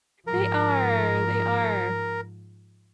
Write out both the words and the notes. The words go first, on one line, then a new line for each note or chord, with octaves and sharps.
They are, they are.
G#2 F3 A#4